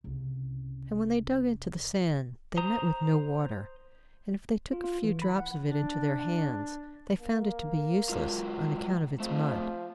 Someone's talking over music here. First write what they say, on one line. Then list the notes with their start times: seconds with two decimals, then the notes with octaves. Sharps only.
And when they dug into the sand, they met with no water; and if they took a few drops of it into their hands, they found it to be useless, on account of its mud.
0.04 C2 C#3
2.57 C5 A#5 D#6
4.73 F4
4.84 F4
5.04 E3
5.22 B5
5.38 F#5
5.65 D4
7.20 A#3
8.09 F#3 G#3 F4
9.20 F3 A3 C4 G#4